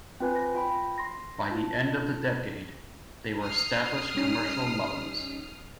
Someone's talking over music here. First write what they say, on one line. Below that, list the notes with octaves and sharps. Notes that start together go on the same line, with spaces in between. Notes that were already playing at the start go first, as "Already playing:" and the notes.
By the end of the decade, they were established commercial modes.
C4 F4 B4 G#5
A#6
F4 G5 B5
C6 A#6
F4 A5
D#6 F6 C7
G3 C#4 D#4